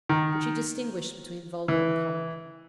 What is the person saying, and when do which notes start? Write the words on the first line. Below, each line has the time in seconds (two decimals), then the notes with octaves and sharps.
But she distinguished between vulgar and common.
0.09 D#3
1.68 E3